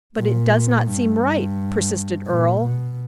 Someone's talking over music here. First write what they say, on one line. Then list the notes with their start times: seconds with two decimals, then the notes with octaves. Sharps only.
"But it does not seem right," persisted Earle.
0.18 A#2
0.87 G2
2.27 A#2
2.62 B2